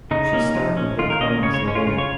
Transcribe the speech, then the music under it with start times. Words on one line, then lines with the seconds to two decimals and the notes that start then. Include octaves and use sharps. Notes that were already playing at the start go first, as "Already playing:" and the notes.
She starred in "Bakekang" as Lorraine.
0.11 C#3 D#4
0.33 A#3 C#4
0.55 F3
0.77 C#4
0.99 D#3 F4
1.10 A#4
1.21 A#3 C#4 D#5
1.42 C#3 C#5
1.54 C#5
1.65 G#3 C#4
1.75 F4
1.87 C#3 F4
1.98 C#5